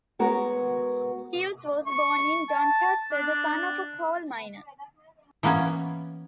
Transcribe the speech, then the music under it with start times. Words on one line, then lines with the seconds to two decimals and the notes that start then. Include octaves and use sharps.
Hughes was born in Doncaster, the son of a coal miner.
0.19 G#3 B3 F#4 A#4
1.87 C#6
2.49 A5
3.12 D4
5.43 E3 A#3 B3 C#4